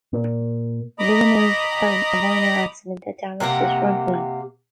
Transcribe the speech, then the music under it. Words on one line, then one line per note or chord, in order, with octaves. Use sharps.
Villeneuve had a minor accident that damaged his front wing.
A#2
D#5 A#5 B5 D6 D#6
C3 A#3 G4 F#5